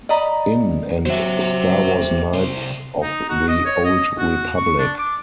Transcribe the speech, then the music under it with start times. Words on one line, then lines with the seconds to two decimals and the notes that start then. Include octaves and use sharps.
In and Star Wars Knights of the Old Republic.
0.09 D5 D#5 A#5 B5
1.06 F#3 F#4 C5 E5
2.34 C2 C5
3.02 D#4
3.29 F#4
3.48 D#5
3.65 C#5
3.84 D#5
4.18 F#4
4.56 C#6
4.78 D4
4.98 D6